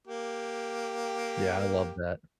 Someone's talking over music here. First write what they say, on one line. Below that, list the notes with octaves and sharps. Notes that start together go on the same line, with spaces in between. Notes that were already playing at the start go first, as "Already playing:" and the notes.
Yeah, I love that.
A#3 G4